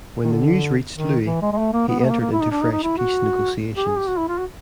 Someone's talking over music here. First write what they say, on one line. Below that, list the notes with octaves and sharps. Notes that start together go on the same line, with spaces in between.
When the news reached Louis, he entered into fresh peace negotiations.
D#3
D3
D#3
E3
G#3
G#3
A3
A#3
B3
B3
A3
A#3
A#3
E4
D#4
D4
D#4
D#4
E4
F#4
G4
G#4
G4
F#4
E4
F4
F#4